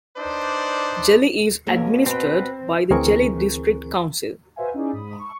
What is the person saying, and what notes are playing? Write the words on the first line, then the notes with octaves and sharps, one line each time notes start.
Jeli is administered by the Jeli District Council.
D4 D#4 B4 C5 D5
B2 A#3 C#4 A4
C4 B4 G5
D2 E3 C4 G#4 A#4 C#6
F#4 B4 C5 E5 F5 G#5
C#4 D#4 E4 G#4 D5
G#2 B5 D#6
C#6